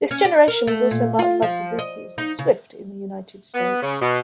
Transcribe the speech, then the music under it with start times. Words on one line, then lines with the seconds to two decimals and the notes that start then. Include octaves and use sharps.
This generation was also marketed by Suzuki as the "Swift" in the United States.
0.11 C#4
0.25 D4
0.48 A#4
0.67 A3
0.91 A#2
1.19 F4
1.42 F3
1.79 D#5
2.18 D#4
2.39 C#3
3.55 B3
3.82 C#3
4.01 B2